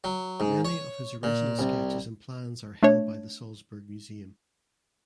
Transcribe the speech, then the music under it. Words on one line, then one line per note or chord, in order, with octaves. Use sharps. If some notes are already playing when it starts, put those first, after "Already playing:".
Many of his original sketches and plans are held by the Salzburg Museum.
F#3
G#2
C#5
A#2
C2
A3 D4 C#5